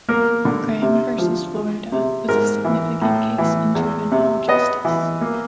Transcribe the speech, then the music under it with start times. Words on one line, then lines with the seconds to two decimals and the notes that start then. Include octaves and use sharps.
"Graham versus Florida" was a significant case in juvenile justice.
0.09 A#3 A#4
0.45 D3
0.82 C3
1.18 F3
1.55 G#3
1.92 C3
2.28 G#2 A#4
2.64 E3
3.01 A2
3.38 E3
3.75 E2
4.11 C3
4.48 B3 D#5
4.85 E3
5.21 A#3